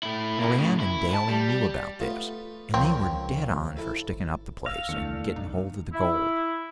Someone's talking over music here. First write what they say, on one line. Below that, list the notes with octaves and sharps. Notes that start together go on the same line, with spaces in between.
Moran and Daly knew about this, and they were dead on for sticking up the place and getting hold of the gold.
A3 E4
A#3 E4
A2 C#3
E4
B4 A5
G3
A3 B3 F4
C#2 F3 A#3 C4 C#5
E4 A4
G#1
G#1 F5 E6 A#6
E2 D#3 A3 D4 C#7
B1 D#4
E4